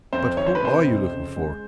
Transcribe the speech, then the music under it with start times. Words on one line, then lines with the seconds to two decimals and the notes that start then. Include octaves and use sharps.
But who are you looking for?
0.13 F2 C5
0.37 D#3 C#5
0.46 C5
0.55 B4
0.63 C3 C5
0.86 F2
1.12 C#3
1.36 G#3